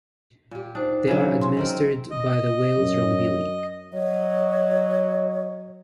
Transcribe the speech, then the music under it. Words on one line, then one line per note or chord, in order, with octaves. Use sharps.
They are administered by the Wales Rugby League.
A#2 G4
D4 D#4 C5
C#3 E3 F#3
C6
D#3 C4 A#4
D#5
F#2
F#3 C#5 D#5